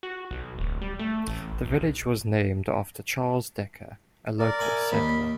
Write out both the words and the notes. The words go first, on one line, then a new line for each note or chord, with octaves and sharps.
The village was named after Charles Decker, a local settler.
F#4
B1
D1
G3
A3
A1
B1
A#4 D5
E5 G#5 B5
D#2 B5